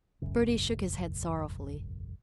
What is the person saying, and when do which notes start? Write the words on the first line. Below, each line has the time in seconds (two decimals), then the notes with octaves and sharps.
Bertie shook his head sorrowfully.
0.22 E1 A1 F#2 C#3